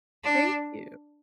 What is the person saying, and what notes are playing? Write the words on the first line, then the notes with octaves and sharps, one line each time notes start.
Thank you.
D4